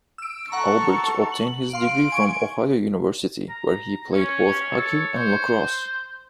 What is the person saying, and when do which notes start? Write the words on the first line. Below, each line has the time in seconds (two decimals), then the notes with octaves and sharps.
Albert obtained his degree from Ohio University where he played both hockey and lacrosse.
0.18 E6 D7
0.52 A4 F#5 A#5 C#6
1.32 F#7
1.73 F5 C6 D7
2.12 G#5 C#6
3.49 A#5
4.14 C#4 C#5
4.71 A4
5.16 C5